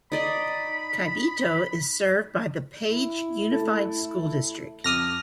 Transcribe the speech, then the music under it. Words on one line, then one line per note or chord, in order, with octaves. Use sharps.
Kaibito is served by the Page Unified School District.
D#4 D5 D#5 B5
E4
A3 A4
F2 D6 D#6 F6 A#6